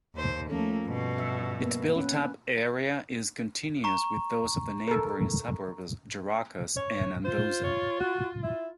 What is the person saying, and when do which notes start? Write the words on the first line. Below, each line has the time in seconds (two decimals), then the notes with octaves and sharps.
Its built-up area is continuous with those of the neighbouring suburbs Gerakas and Anthousa.
0.15 D#2 C5
0.50 F3 A3 A#3 C#4 A4
0.86 G2 B2
1.18 E5
1.60 A#3 B3
1.96 C#4 B4
3.84 A#5 C#6
4.88 A4 A#4
6.76 C#5
7.25 F4 C5
7.64 C#5
8.00 F#4
8.43 E4